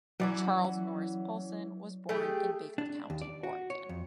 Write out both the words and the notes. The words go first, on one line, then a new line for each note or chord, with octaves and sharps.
Charles Norris Poulson was born in Baker County, Oregon.
E3 F#3 C#4 F#4 D5
A3 G4 G#4
D4
D#2
D5
F#4
C#5
F2